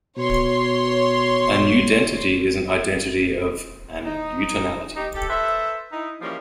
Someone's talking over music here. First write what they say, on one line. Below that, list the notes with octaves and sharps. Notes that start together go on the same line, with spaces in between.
"An udentity is an identity of an utonality".
B2 C#5 C6
D#4
D#4 G4
G4 A4
A4 B4 C5 E5
D#4 E4
E3 F3 G3 G#3 A#3 C#4